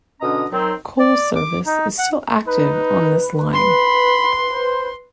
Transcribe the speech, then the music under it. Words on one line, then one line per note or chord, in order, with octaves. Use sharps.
Coal service is still active on this line.
B2 D3 C#4 D#5 A#5 D#6
D#3 F#3 C4
D5
D6
D#4
F#5
D#4 B4
B5 C6
C5